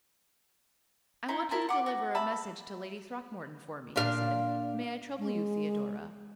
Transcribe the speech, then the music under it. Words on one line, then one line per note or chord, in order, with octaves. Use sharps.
"I want you to deliver a message to Lady Throckmorton for me," he said. "May I trouble you, Theodora?"
D#4 E4 C5
E4 A#4 C5 A5
F#5 D6
F#4
E5 A5 B5
A#2 D4 F5
G#3